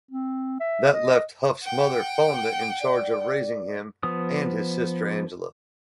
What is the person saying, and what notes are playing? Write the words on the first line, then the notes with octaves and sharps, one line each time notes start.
That left Huff's mother Fonda in charge of raising him and his sister Angela.
C4
E5
D#5
F#5 G5
D5
F3 B3 D#6